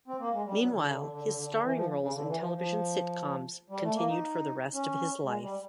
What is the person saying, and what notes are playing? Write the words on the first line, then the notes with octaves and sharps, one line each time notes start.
Meanwhile, his starring roles in television sitcoms continued for the rest of his life.
C4
A#3
G#3
G3
F#3
D3
D3
D3
D3
D3
D3
D3
E3
F3
C#3
D3
E3
F3
F3
G3
A3
A#3
D#4
C#4
G#3
G3